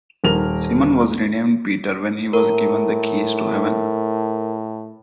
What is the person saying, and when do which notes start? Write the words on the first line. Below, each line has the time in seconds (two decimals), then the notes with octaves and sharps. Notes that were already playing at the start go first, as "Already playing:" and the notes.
Simon was renamed Peter when he was given the Keys to Heaven.
0.24 D#1 A#4 F7
2.33 A2 A#4